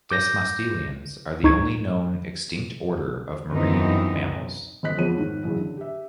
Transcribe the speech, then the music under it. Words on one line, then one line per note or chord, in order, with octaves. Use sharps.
Desmostylians are the only known extinct order of marine mammals.
D6 G6 A#6
D2 D#4 C#6 G#6
F#2 E3 F3 B3 C4 D#4
G1 C4 D#5 F#6 B6
F2 F3 G#3 B3 C#5 D#7
G#2 D#3
A1 F#2 C#3
D3
G4 E5